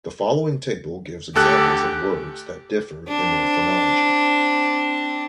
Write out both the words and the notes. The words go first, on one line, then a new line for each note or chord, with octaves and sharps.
The following table gives examples of words that differ in their phonology.
D2 G4 A4 F#6
C4 D4